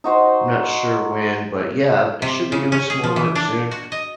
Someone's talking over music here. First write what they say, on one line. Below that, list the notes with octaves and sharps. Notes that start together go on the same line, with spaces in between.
I'm not sure when, but, yeah, I should be doing some more work soon.
D#4 F#4 C5
C3
C#3
C#4
G#4
F3
E3
D4
F#4
D#5